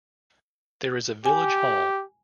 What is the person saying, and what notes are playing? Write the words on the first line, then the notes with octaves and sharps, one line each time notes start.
There is a village hall.
G4 G#5